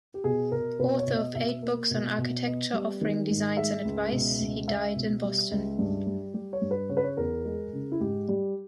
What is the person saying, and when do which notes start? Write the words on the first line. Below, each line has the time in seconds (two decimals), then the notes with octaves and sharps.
Author of eight books on architecture offering designs and advice, he died in Boston.
0.14 G4
0.24 B2 G#4
0.52 B2 A#4
0.79 B2 B4
0.99 C#5
1.07 B2
1.17 D#5
1.35 B2 E5
1.63 A#3
1.91 B2
2.18 B2
2.46 B3 D#5
2.73 G3
3.01 D#3
3.29 G#2
3.57 G#3 E5
3.85 C#2
4.12 B2
4.40 C#2
4.68 C#2 E5
4.96 B2
5.23 G3
5.51 C#2
5.78 G2
6.06 G3
6.34 G3 G4
6.53 C#5
6.61 G2
6.71 B4
6.89 C#3 C#5
6.97 B4
7.04 C#5
7.17 E2 A#4
7.45 G#3
7.73 C#3
7.92 E4
8.00 G#2 G4
8.28 G3